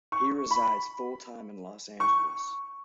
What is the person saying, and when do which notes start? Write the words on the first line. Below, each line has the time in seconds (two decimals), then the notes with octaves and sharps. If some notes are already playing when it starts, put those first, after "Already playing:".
He resides full-time in Los Angeles.
0.12 C#6
0.51 B5
2.00 C#6